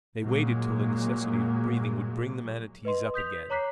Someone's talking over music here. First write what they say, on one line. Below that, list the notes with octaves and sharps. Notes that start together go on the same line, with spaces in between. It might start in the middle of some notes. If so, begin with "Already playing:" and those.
They waited till the necessity of breathing would bring the manatees up again.
A#2 F#3 G#3 A#3
B4 D#5 C6
D#6 G6 B6 F7
C#5 A#5 D6 F#6 B6 C7